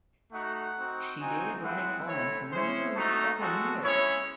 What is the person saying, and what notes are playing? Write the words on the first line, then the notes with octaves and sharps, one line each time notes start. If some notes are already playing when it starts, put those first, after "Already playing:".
She dated Ronnie Coleman for nearly seven years.
A3 D#4 F#4 F#5
C4 D#4 F#4
C4 D#4 F#4 G#5
G#3 C4 E4 F#5
A3 C4 E4 C#5
G#3 C#4 E4 C5
A3 D#4 F#4 A4
G#3 C4 F#4 A4
G#3 C#4 E4 C#5